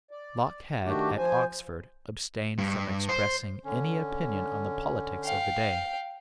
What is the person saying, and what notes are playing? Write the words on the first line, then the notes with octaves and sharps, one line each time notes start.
Locke had, at Oxford, abstained from expressing any opinion on the politics of the day.
D5
D#3 A3 D4 F#4 G4
F3 C5 G#5
G2
C5
D3 C#4
F5 G5